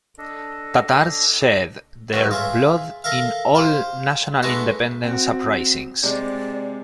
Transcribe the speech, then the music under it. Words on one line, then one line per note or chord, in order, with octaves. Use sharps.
Tatars shed their blood in all national independence uprisings.
D4 A4 D#5
A1 G2 F#3
F4 G#4 E5
A4 A#4 E5 F5
F4 G4 C5
G#3 A3 B3 D4 D#4
C4 F#4
C3 G#3 D5